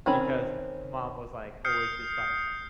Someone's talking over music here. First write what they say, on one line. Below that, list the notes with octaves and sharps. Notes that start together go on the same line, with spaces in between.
because m mom was, like, always just, like,
D#3 C4 C#4 B5
D#6 F6 G6 C7 C#7